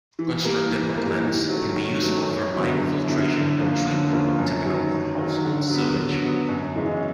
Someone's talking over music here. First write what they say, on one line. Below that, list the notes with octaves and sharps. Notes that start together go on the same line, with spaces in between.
Constructed wetlands can be useful for biofiltration and treatment of typical household sewage.
E3
G3 A#3
E3
G3 A#3
D#3
F#3 A3 C#4
D#3
F#3 A3 C#4
F#2
D3 F#3 B3 E4
F#2
D3 F#3 B3 E4
D3
F3 A#3 C#4 F4
D3
F3 A#3 C#4 F4
F#2
D#3 F#3
F#2
D#3 F#3
D3
F#3 B3
D3
F#3 B3
F#2
C#3 E3 G#3 C#4